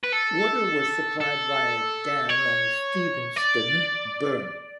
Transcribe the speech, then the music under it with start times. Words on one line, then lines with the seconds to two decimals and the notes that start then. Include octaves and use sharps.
Water was supplied via a dam on the Stevenston Burn.
0.04 B4
0.13 A4
1.20 A4
2.29 C#5
3.37 D5